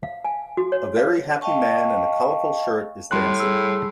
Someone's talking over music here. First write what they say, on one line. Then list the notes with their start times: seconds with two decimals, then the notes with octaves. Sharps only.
A very happy man in a colorful shirt is dancing.
0.03 F5
0.25 G#5
0.57 F#4
0.72 C#5
0.97 F5
1.41 D#5 F5 G5 A5 C#6
3.11 A2 G3 C6 F#6
3.40 G#4 E6